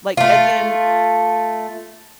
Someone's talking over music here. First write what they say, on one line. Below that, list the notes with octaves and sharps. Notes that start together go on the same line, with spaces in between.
Like, as in
A3 F4